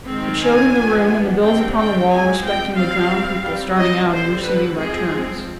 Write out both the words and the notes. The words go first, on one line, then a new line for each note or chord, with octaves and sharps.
It showed him the room, and the bills upon the wall respecting the drowned people starting out and receding by turns.
D#3 G#3 C4
G#5
F3 B3 D4
D3 G3 C4 G5
G5
F3 G#3 C4 G#5
G5
G3 C4 F5
G3 C4
D#5
D3 G3 C4 C5
B4
F3 G#3 C4 G#4